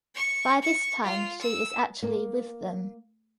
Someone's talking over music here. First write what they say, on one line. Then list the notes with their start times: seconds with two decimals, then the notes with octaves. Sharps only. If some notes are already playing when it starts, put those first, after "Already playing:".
By this time she is actually with them!
0.15 C#6
0.62 C#6
1.03 F4
1.41 E6
2.02 A#3